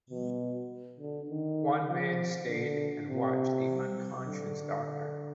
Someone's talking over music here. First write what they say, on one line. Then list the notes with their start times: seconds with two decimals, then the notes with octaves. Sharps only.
One man stayed and watched the unconscious doctor.
0.11 B2
1.00 D3
1.29 D#3
1.88 F3
2.48 D3
3.07 C3
4.26 D3